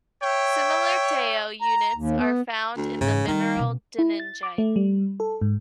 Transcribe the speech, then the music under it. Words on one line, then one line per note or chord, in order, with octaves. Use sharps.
Similar TeO units are found in the mineral denningite.
C#5 E5 G5
A#5
D#2
B3
D2
G#2 C#3 E3
D#3 G3 C4
B2 C#4
E4
A6
D6
A3
G3
A4
G#2